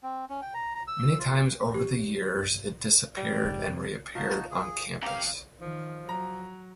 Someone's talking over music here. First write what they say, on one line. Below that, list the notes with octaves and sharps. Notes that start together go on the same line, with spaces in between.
Many times over the years it disappeared and re-appeared on campus.
C4
C#4
G5
A#5
A#5
E6
F4
G4
G3
F1 G#2
F2 C3
D#4 F4 F#4 A5
G#4
F2 C#4 G4 F5 G5 A#5
D#3 F3
F#3 A#5